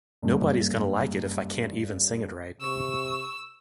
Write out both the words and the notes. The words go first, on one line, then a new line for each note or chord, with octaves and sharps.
Nobody's gonna like it if I can't even sing it right.
F#1 G2
C3 C#6 E6